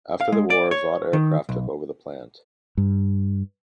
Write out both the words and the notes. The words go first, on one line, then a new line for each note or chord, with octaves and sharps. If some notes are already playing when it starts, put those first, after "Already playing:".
After the war, Vought Aircraft took over the plant.
F5
G#3
D5
C#5
D#3
B1
G2